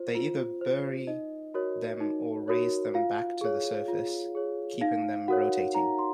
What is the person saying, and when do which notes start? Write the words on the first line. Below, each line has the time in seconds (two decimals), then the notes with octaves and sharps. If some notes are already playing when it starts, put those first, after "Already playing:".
They either bury them or raise them back to the surface, keeping them rotating.
Already playing: F4 C5
0.15 F4
0.61 C5
1.07 D#4 D#5
1.54 F#4 A#4 C#5
2.01 D#4
2.48 F#4 A#4 C#5
2.94 F4 F5
3.41 G#4 C#5
3.88 F4
4.35 G#4 C#5
4.81 D#4 F5
5.28 F#4 A#4 C#5 F#5
5.74 D#4 A#5
5.99 C6